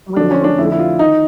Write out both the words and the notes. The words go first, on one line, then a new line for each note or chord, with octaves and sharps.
When you're working?
F2 D3 D4
C#4
D4
F2 D3 E4
E4
F4
D#3 D#4